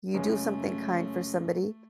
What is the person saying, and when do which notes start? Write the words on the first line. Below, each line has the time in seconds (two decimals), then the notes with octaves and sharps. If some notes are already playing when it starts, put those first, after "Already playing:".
you do something kind for somebody
0.14 F#2 C#3 G#3 A3 C#4